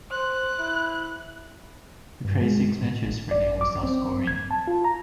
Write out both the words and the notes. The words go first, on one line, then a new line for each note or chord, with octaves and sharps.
He played six matches for them without scoring.
C5 F#6
E4
G2
G#3
A2
D5
D6
C4
G#6
A5
F4
A#5